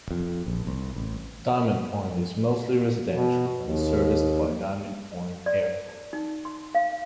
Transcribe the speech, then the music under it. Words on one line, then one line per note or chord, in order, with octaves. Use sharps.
Diamond Point is mostly residential and is serviced by Diamond Point Airport.
F2
A#1
C2
A1
B2
D#2
D5
D#4
C6
F5